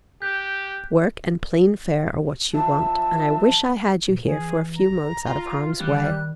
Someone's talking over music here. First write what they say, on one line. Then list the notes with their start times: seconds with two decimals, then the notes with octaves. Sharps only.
Work and plain fare are what you want; and I wish I had you here for a few months out of harm's way.
0.22 G4 F#6 G6 B6
2.54 F3 E5 A5
4.08 A#2
4.25 E3 G#4
4.76 A#5
4.90 F1
5.26 F4
5.80 D#3 G3 F#6